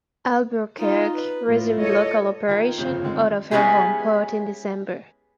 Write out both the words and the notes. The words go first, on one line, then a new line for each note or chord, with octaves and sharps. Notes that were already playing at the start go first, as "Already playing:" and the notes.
"Albuquerque" resumed local operations out of her home port in December.
D#4 F4
B4
A2 E4 F4
A4 C#5 D#5
D#3 F4 A#4 G#6
G1 F2 A#2 C#3 F3 G6
D3 D#3 G#3 C4
G#3 B3 C#4 E4 G4 G#4